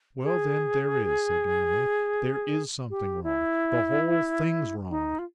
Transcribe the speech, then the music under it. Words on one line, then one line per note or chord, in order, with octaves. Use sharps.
'Well then; there is,' said Lammle; 'there IS something wrong; the whole thing's wrong.'
G#4
G4
E4
D#4
F4